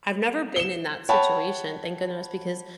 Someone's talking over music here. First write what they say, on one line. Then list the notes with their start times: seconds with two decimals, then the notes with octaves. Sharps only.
I've never been in that situation- thank goodness- because
0.56 E7 G7
1.09 C#5 F#5 G5 A5 B5